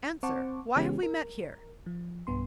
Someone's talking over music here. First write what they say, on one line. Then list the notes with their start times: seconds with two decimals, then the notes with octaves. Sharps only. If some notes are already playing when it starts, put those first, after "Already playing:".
Answer: why have we met here?
0.23 C4 C5 F#5 A5 C#6 D6
0.76 C#3 E3 G#3 B3 C#4 G4
1.03 A#4
1.86 F3
2.27 B1 G2 B3 C6